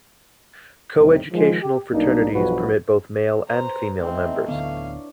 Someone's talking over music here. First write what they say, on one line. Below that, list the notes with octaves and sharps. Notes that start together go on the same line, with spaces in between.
Coeducational fraternities permit both male and female members.
E2 A2 C3 G3 C4 D#4
D#3 F3 G#3
G4
B1 G3 A#3 D4 D#4
B1 G2 E3 F3 F#4 B4
B4 C5 A#5
E3 A3 C4 D#4 E4
D1 D3 B3 D4 C#5 F5